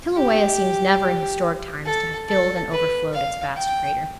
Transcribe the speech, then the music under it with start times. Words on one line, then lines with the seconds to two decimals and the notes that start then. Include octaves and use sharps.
Kilauea seems never, in historic times, to have filled and overflowed its vast crater.
0.16 G4
1.85 A4
2.28 A4
2.71 B4
3.13 F5
3.56 G5